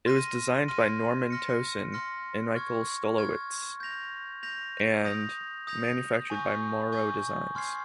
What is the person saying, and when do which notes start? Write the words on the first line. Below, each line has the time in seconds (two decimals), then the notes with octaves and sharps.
It was designed by Norman Towson and Micheal Stolowitz, and manufactured by Morrow Designs.
0.06 C6 F6 A#6 D#7
0.68 C6 F6 A#6 D#7
1.30 C6 F6 A#6 C#7
1.92 C6 F6 A#6 C#7
2.55 C#6 F6 G#6
3.17 C#6 F6 G#6
3.80 G6 A#6 F7
4.43 G6 A#6 F7
5.05 D#6 G6 A#6 F7
5.67 D#6 G6 A#6 F7
6.30 G#5 C#6 G6
6.92 G#5 C#6 G6
7.55 G#5 C6 F6 G#6 C7